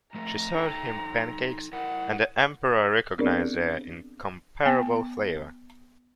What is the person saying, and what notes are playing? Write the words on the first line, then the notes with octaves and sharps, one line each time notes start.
She served him pancakes, and the Emperor recognized their incomparable flavour.
F3 A3 A#4 A#5
D#4 A4 G5
E4 A#4 F#5
B3 C4 D4 G#4 A#4 D5
B3 G5